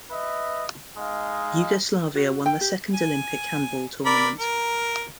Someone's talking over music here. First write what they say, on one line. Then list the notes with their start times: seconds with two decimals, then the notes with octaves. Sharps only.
Yugoslavia won the second Olympic handball tournament.
0.11 B4 D#5 E5
0.97 G#3 D#4 F5
2.15 F#4
2.46 G5
2.61 G4
2.94 G#5
4.06 A#4 D5 B5
4.39 A#4